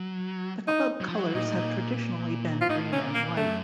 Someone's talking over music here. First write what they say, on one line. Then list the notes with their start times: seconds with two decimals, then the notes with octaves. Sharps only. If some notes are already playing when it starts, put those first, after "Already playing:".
The club colours have traditionally been green and white.
Already playing: F#3
0.67 D#4
1.01 F#3
1.09 F3
1.16 F#3
1.34 A#2 D#4
1.45 A2
1.56 A#2
2.61 F4
2.70 A2 D#4
2.92 C3 C#4
3.03 A#2
3.14 A#3
3.37 F#2 A3